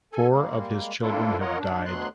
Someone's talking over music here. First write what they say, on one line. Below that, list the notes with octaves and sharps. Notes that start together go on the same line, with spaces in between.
Four of his children have died.
A4 G#5
G3 G#3 A#3
A#3 C4 D4 E4 F4 A4
F4 A#4 C#5 D#5 F#5
D4
D2 B2 F#3 B3 C6 F#6